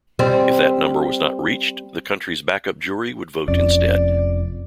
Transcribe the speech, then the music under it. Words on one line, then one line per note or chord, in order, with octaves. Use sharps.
If that number was not reached, the country's backup jury would vote instead.
G3 C4
F1 F2 C#4 D5